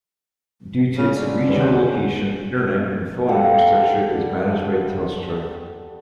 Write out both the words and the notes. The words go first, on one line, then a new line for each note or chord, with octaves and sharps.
Due to its regional location, internet and phone infrastructure is managed by Telstra.
C#3 C#4
D3
F4
D#2 D#3 G3 C#4 B4
F#5 F#6 G6
C#2 G#4
G3 A4 F5 F#5